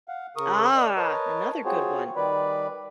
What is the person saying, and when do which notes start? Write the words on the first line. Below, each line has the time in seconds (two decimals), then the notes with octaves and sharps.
Ah, another good one.
0.08 F5 F#5
0.36 C#3 A#4 C#6 D#6
0.76 D5 D#5
0.96 A#4 B4 C#5 D#5 A5
1.65 C4 F4 F#4 G#4 C5 C#5
2.16 D#3 G3 B4 D5 B5